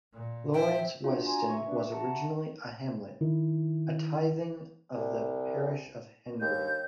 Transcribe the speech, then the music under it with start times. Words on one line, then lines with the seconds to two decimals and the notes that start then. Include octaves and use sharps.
Lawrence Weston was originally a hamlet, a tything of the parish of Henbury.
0.12 A#2
0.54 C5 E5 G5
1.04 D4 F4 F#4
1.24 G#5 A#5 C6
1.49 E5 C#6
1.66 D4 B4
1.91 F#5 A5 A#5
3.21 D#3 E4
4.97 C2
6.41 D#2 G6